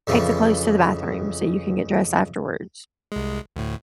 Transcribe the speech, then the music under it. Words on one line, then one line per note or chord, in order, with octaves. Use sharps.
take the clothes to the bathroom so you can get dressed afterwards.
F2 C#3 E3
C2 G#3
D2 A2